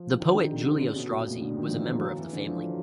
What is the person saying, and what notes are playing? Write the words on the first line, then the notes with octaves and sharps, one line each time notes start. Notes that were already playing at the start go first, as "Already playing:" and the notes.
The poet Giulio Strozzi was a member of the family.
Already playing: F3
D#3
D3
C3
D3
C#3
B2
A#2
A2
D3
D#3
F3
E3
F#3
F3
E3
D3
F3
F#3